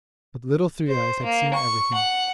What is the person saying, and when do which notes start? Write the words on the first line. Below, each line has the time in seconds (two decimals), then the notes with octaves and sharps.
But Little Three-eyes had seen everything.
0.88 C5
1.24 A#3
1.54 C#6
1.94 F#5